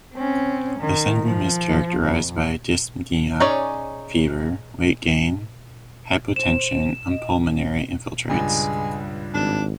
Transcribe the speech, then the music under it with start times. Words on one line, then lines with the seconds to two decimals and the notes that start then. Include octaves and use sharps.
The syndrome is characterized by dyspnea, fever, weight gain, hypotension, and pulmonary infiltrates.
0.14 C4 C#4
0.79 D#3
1.25 F3
2.03 F2
3.40 C#4 D#4 G#4 C#5 D5
6.36 C5 E7
7.09 D#5
8.29 C#2 G2 G#3
9.34 G#1 D4